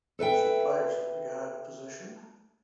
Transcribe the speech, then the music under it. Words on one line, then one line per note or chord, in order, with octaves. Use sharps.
She plays at the Guard position.
A4 B4 E5 G5